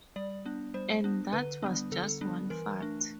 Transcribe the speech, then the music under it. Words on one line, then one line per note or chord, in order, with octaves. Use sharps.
And that was just one fart.
G3 D5
B3 D4
G3 C5
B3 D4
D3 B4
G3 B3 D4
D3 A4
G3 B3 D4
E3 A#4
A3 D4